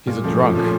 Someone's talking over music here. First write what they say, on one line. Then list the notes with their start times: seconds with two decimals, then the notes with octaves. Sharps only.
He's a drunk.
0.07 A#2
0.24 F3 A3 C#4
0.40 A#2
0.55 F3 A3 C#4